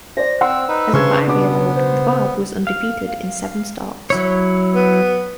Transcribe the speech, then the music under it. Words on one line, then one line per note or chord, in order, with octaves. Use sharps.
As a five-year-old The Barb was undefeated in seven starts.
C5 D5 A#6
C4 F#5 C6 E6
D#4 B4
G2 C#3 B4 C5 C6 C#6 E6 G#6
B2 B3 D4 D6
C5
F5
F#3 E4 C#5
B3